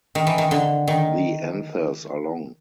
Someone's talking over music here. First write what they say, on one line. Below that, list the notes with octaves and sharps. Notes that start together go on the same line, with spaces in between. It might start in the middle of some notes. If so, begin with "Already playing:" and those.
The anthers are long.
D#3
E3
D#3
D3
D#3